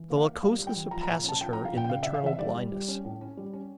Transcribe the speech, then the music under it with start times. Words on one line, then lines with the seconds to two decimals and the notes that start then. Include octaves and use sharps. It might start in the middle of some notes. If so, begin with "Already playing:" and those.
The Lycosa surpasses her in maternal blindness.
Already playing: E3
0.10 A#3
0.17 F5
0.26 A#3
0.43 G3 F5
0.58 G3
0.67 G5
0.76 E3
0.91 F3 A#5
1.03 A#5
1.09 A#2
1.24 C#4 A5
1.41 F3 G5
1.53 A#5
1.57 C#4
1.65 F5
1.74 A#2 G5
1.84 G5
1.90 C#3 F5
2.03 E5
2.07 C#3
2.14 F5
2.23 E3 E5
2.39 G3 D5
2.55 G3
2.72 G3
2.88 C#4
3.05 A2
3.21 C#4
3.37 G3
3.53 C#4